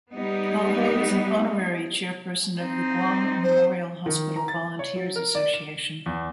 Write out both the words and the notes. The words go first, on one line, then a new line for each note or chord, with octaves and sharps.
Calvo is an honorary chairperson of the Guam Memorial Hospital Volunteers Association.
G3 B3 D#4
C4 D#4
C5
D#3
A#5
A6
C#5
F#3
A#4
D5
E7
E2